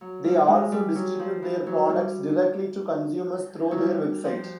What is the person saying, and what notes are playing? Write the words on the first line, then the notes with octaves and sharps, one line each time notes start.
They also distribute their products directly to consumers through their website.
F#3
G3
G#3
G3
F#3
F3
E3
F#3
G3
F#3
G3
F3